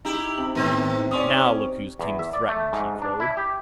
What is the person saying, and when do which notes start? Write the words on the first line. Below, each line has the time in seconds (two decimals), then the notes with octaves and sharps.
"Now look whose king's threatened!" he crowed.
0.05 D#4 E4 G4
0.37 C3 F#7
0.55 A2 D#3 B3 C4
1.11 C#4 D5 C6 D#6
1.99 E2
2.19 E5
2.33 D5
2.49 A3
2.73 G#2
3.02 D4
3.20 E4
3.37 G4